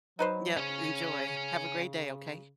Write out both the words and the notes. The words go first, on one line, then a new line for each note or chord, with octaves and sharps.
Yep, enjoy. Have a great day, okay?
F#3 D#4 B4 C5
C#3 C#4 C#5